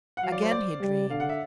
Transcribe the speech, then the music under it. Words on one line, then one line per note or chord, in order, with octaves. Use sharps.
Again he dreamed.
F#5
F#3 F5
D5
C5
D5
G3
D3 F5
F#5
E5